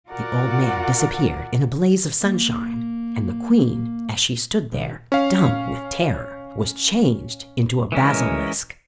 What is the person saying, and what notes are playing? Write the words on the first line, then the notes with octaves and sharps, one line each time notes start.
The old man disappeared in a blaze of sunshine; and the queen, as she stood there, dumb with terror, was changed into a basilisk.
F4 F#4 A#4 D5 F#5
A#3
A1 G2 B2 D#3
C#4 F5
E3 G#3 C#4 A#4